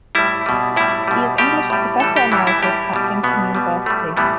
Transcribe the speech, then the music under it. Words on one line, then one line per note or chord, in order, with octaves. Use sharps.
He is English Professor Emeritus at Kingston University.
A2 G3 E4
B2 G3
A2 G3 E4
B2 G3
B2 G3 G4
A2 G3
A2 E3 G3 A4
G4
A2 E3 G3 E4
E4
A2 G3 G4
B2 G3
B2 G3 B3
B2 G3
A2 G3 A3
A2 E3 G3 B3